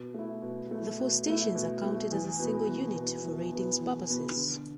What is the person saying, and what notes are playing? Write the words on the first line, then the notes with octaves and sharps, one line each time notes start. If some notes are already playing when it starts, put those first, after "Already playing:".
The four stations are counted as a single unit for ratings purposes.
Already playing: B2
A3 E4
B2
A3 E4
B2
A3 E4
B2
A3 E4
E2
B2 B3
E2
B2 B3
E2
B2 B3
E2
B2 B3
D3